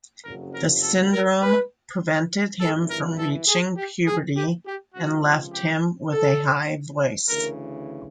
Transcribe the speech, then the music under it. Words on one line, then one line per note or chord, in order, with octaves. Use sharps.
The syndrome prevented him from reaching puberty and left him with a high voice.
F#1 F2 C#3 F#3 A#4
A#4
A4
A#4
B4
G#1 G2 E3 A4
A#4
A4
G#4
G4
G#4
G4
G4
C#2 C3 F3 F#4
G4
A4
D2 C#3 E3 A#4